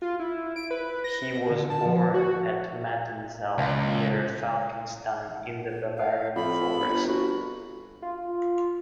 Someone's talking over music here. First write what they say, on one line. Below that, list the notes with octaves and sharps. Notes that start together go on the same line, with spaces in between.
He was born at Mattenzell, near Falkenstein in the Bavarian Forest.
F4
E4
D7
B4
A#6
D3
A5
F3
F#4
C#2
F5
F2 B5
G1
F#4
F4